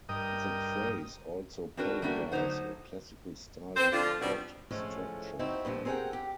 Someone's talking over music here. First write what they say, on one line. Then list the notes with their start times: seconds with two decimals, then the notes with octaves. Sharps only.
The phrase also parodies a classical style of plot structure.
0.09 G2 A#4 D#5 G5 D#6
1.77 C4 D4 F#4 A#4 B4
2.02 G3 A3 A#3 D4 E4 F#4
2.32 A2 D3 F#3 D#4 C5 F#5
3.77 C4 C5
3.93 D3 F3 D4 F4
4.21 B2 G3 B3 C4 D4 D#4
4.71 A2 F3 G#3 A3 C#4
5.39 F3 C4 D#4 E4 F#4
5.65 G2 A#2 D3 F3
5.85 C4 G#4 A#4 C#5 F#5 G5
6.13 G4